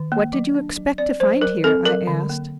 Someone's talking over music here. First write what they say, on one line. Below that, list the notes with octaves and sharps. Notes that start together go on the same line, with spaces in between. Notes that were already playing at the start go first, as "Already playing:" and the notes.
"What did you expect to find here?" I asked.
Already playing: D#3
A#3
F#3
D4
F#3
C4 D5
F#3 C5
F#3 A#4
C4 A4
F#3 A#4
D3
A#3